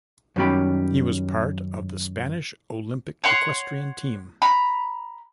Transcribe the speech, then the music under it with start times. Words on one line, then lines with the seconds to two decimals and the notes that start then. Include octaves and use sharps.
He was part of the Spanish Olympic equestrian team.
0.36 F#2 D#3 G3 C#4 G4 B5
3.24 C#5 F#5 C6
4.42 A#5 B5